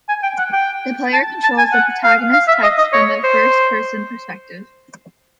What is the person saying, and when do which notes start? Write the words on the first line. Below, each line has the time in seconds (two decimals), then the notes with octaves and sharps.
The player controls the protagonist Tex from a first person perspective.
0.09 G#5
0.23 G5
0.38 F#5
0.53 G5
1.13 A5
1.44 A5
1.58 G#5
1.73 F#5
2.04 F5
2.33 F5
2.48 E5
2.63 D#5
2.78 D#5
2.93 C#5
3.24 C5